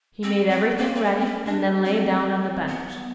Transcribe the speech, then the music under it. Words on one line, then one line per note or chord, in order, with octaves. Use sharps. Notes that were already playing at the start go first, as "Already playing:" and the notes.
He made everything ready, and then lay down on the bench.
C4
C4
A#3
C4
B3
C4
C#4
D4
C4
B3